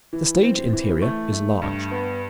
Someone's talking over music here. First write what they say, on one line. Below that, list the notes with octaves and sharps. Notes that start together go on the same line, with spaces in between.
The stage-interior is large.
E3
C4
E3
A3
A3
G2
B3